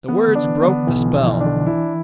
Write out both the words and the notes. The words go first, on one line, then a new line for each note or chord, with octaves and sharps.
The words broke the spell.
E3 B3
D3
D4
E3
B3
D3
B1 E3
F3
B1
E3
D4
D3
E3 E4